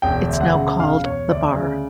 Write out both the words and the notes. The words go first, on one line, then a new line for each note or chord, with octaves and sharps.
It's now called The Bar.
E1 G5
D2
F#5
C#3
E1 F5
E1 C#5
D2 D5
C#3